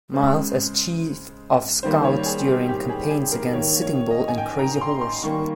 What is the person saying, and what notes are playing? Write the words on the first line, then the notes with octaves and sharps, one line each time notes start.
Miles as chief of scouts during campaigns against Sitting Bull and Crazy Horse.
C#3 G#3 C5
D#3 G3 A#3 C5
C#5
G#4
G4
G4
G#4
G#4
A#4
D#3 A#3 C#5
C#5
D#5
G#5
G5
A#5
C6
C6
D#3 G3 A#3 C#6